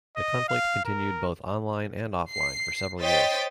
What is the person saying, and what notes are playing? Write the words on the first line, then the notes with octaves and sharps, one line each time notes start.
The conflict continued both online and offline for several years.
D#5
F5
A#4
C7
C5 C#5 D#5 G5 A6 B6